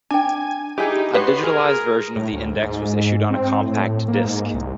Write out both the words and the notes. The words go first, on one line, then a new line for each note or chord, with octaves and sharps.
A digitalized version of the index was issued on a Compact Disc.
D4 G5 G#5
D#4 E4 G4 G#4
B3 F#4 B4 C#5 C6
G#4 A#4
A2
D2
G#2
C4
A2
A#3
G#2
C2